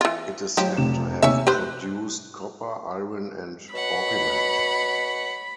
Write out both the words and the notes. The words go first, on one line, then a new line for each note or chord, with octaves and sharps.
It is said to have produced copper, iron and orpiment.
E3 F4
F3 F#3 G4
F1 C3 E7
D#2 C3 C#5 E5 G#5
G4 B4 C5 F#6 G6
B2 C#5 F#5 B5